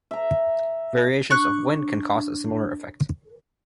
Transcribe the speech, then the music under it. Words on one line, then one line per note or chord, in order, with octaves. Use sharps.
Variations of wind can cause a similar effect.
E5 A#5
D4 C#6 F#6